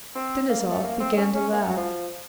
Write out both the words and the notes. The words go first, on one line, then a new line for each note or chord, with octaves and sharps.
Denisov began to laugh.
C4
A#3
A#3
A3
A#3
C4
D#4
C#4
C#4
A#3
A3
F#3
F3